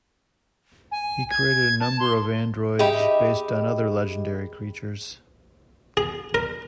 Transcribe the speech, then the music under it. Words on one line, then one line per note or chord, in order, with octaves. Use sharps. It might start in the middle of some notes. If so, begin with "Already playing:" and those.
He created a number of androids based on other legendary creatures.
G#5
G#6
A5
C6
D#4 G4 G#4 E5 G5 B5
G#4
A#4